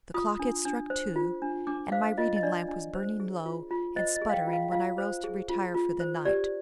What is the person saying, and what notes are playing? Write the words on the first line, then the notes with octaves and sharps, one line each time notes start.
The clock had struck two, and my reading-lamp was burning low and sputtering when I rose to retire for the night.
F4 D#6
D4
D4
C5
F4
D4
D4 D6
C5 F5
F4 D#5
D#5
D4 D5
D4
C5
G#4
F4
F4
C5 D#5
D#5
G#4
F5
G5
F4
F5
F4 F5
C5
G#4
F4
F4
C5
G4 D5